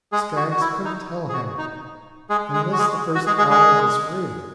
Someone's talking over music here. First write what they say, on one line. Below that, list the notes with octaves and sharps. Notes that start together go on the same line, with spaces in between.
Skaggs could n't tell him, in this the first hour of his freedom.
G#3 G#4
F#4
F#4
E4
D#4
G#4
F#4
D#4
G#3 G#4
G#3 G#4
F#4
G#3 G#4
F#4
G#3 G#4
G#3 G#4
G#3 G#4